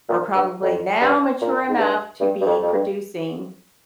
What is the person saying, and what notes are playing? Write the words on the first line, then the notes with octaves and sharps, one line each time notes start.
are probably now mature enough to be producing
A#2
G2
F2
G2
A#2
G#2
G2
G2
G2
F2
F2
G2